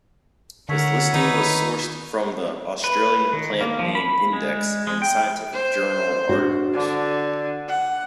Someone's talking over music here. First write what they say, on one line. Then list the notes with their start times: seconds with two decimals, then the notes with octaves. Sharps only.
This listing was sourced from the "Australian Plant Name Index" and scientific journal articles.
0.69 D3 A#4 C#5 E5 F#5
1.14 D#3 D#4 B4
2.84 B4
3.33 D#3
3.61 A#3
3.79 F3
3.95 B5
4.33 G#3
4.87 G#3
5.02 G5
5.53 C5
6.29 D4 F#4
6.74 D3
7.68 F#5